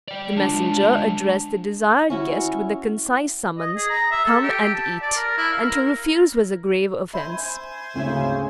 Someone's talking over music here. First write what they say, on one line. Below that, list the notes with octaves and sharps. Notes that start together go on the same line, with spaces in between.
The messenger addressed the desired guest with the concise summons, "Come and eat"; and to refuse was a grave offence.
D5 G5
G#3 D4 F4
C#4 E4 F#4
D#5
G#4
A#5
E5
A4
G4
A5
D5
A#4
E4
F5
A#4
C5 E5 G#5 B5
D2 G#2 C#3 C4 E4 E5